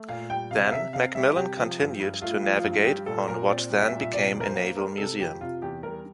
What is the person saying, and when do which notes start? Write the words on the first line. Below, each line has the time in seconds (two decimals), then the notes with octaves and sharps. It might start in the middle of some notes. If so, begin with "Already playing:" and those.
Then MacMillan continued to navigate on what then became a naval museum.
Already playing: A3
0.09 A#2 F5
0.30 G3 G5
0.51 C3 F5
0.65 F5
0.72 C3 E5
0.93 C4 F5
1.15 G3 E5
1.36 C3 G4
1.57 F3
1.79 G2
2.00 G2
2.22 A3 F4
2.43 F3
2.54 F4
2.64 G2
2.85 G3 G4
3.06 A#2 A4
3.28 A#2 A#4
3.49 C4 D5
3.70 G3
3.81 E5
3.92 A#2
4.01 E5
4.13 C3 D5
4.35 F2
4.41 A#4
4.45 C5
4.55 A#3
4.77 G3 A#4
4.98 C3 A4
5.19 F2 G4
5.41 C3 F4
5.62 E2 G4
5.83 G3 A#4